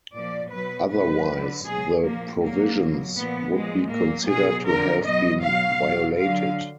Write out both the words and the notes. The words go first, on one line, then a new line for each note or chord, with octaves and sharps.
Otherwise the provisions would be consider to have been violated.
A#2 F3 D5
B2 F#3 B4
B2 F#3 B4
D3 F#3
B2 F#3 G#4
A#2 F3 A#3
A#2 F#3 A#3
B2 F#3
A#2 F3 B3
A#2 F3 G#3
A#2 F#3 A#3
B2 F#3 G#4
D3 F3 A#4
B2 F#3 D#5
B2 F#3 F5
B2 F#3
D3 F#3 F5